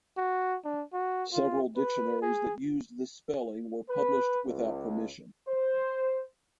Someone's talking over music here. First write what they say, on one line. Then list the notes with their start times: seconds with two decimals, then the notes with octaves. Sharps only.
Several dictionaries that used this spelling were published without permission.
0.17 F#4
0.65 D4
0.93 F#4
1.33 F4
1.77 B4
2.22 G#4
3.89 B4
4.46 C#2
5.47 C5